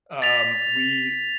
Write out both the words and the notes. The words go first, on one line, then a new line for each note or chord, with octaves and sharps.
um, we
A6 B6 F7